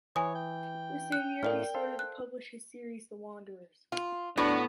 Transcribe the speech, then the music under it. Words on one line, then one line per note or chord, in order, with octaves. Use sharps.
The same year he started to publish his series “The Wanderers”.
E3 C#5 G#5 D#6
G5
F#6 C#7
A2 A#4 D5 F5 F6
A4 C5 F5
F#6
F4
A2 B3 D4 F#4